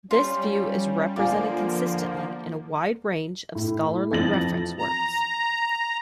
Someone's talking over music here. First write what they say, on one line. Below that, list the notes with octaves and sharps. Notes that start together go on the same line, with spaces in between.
This view is represented consistently in a wide range of scholarly reference works.
G3 C#4 F4
D3 F3 A#3 F4 D5 F5 G#5
A2
F2 E3 A6 A#6 F#7
A#5